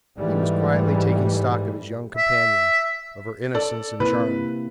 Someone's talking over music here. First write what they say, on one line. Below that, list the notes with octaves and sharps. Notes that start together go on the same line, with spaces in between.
He was quietly taking stock of his young companion,--of her innocence and charm.
G#2 E3 G3 A3
E5
A4 D5
C3 A#3 E4 B4